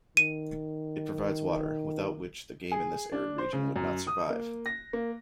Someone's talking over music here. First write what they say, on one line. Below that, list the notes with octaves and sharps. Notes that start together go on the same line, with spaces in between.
It provides water, without which the game in this arid region could not survive.
D#3 D#7
G#4
D4
C5
C#3
F#2
D#6
A#3
A#6
A#3